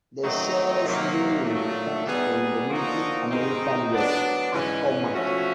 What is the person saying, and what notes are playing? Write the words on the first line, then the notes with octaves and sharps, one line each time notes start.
The shire's name comes from the Native American word Accawmack.
D#3 F#3 A3 C4 D#4
C3 D#3 F#3 A#3
A#2 F#3 A3
B2 G3 B3 D#4 G#4
D3 F3 A#3 D#4 F#4
G#2 D#3 G#3 C4 D#4
F#3 B3 D4
G#2 E3 G#3 C#4
F3 A3 C#4 F#4